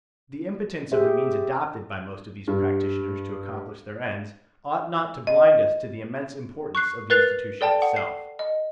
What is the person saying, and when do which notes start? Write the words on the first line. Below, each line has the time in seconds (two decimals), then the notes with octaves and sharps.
The impotence of the means adopted by most of these practitioners to accomplish their ends ought not to blind us to the immense importance of the institution itself.
0.92 G4 G#4 C5 E5
2.47 G2
5.27 D#5
6.75 C#6 F#6 C7
7.10 A#4 B4 F#6 A6 C7 F7
7.61 A4 D5 G5 A5
7.82 F#5
7.96 C7
8.39 D#5